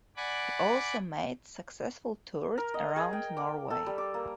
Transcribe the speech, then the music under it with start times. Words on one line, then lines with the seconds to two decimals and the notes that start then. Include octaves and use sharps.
He also made successful tours around Norway.
0.17 D5 F#5 G#5 B5 D6
2.58 A#4
2.74 D#5
2.96 G#4
3.13 G5
3.37 D6
3.70 A4
3.87 G3
3.98 D6
4.14 A#3